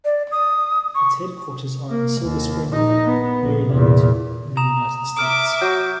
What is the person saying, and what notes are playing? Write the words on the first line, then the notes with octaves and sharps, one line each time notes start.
Its headquarters are in Silver Spring, Maryland in the United States.
D5
D#6
C#6
A#3
D#2
A#1 D#4
B3
A#1
E2 A#2
A#5 D#6 E7
E5 D6 D#6 F6 D7
F#3 G6